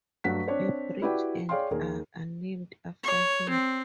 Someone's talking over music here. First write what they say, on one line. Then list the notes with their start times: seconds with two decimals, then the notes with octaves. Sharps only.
A bridge and a are named after him.
0.24 G2 F#3 A3 F#4 F#5 B6
0.47 C4 D4 C#5 D5
1.02 E4 F#4 G4 B4 D5 G5
1.49 G#4 C#5 D5 F5 G5 C6
1.71 D#2 D#3 G#4 A#4
3.03 C#5
3.50 C4